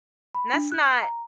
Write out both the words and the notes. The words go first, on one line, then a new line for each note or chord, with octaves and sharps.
And that's not
B5
D4
F#6
A#5